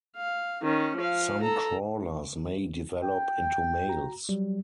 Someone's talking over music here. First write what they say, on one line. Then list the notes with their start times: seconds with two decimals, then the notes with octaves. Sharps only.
Some crawlers may develop into males.
0.17 F5
0.63 D#3 C#4
0.97 F3 F5
1.41 A4 A#5
3.03 G5
3.87 F#4 A#5
4.29 F#3 G3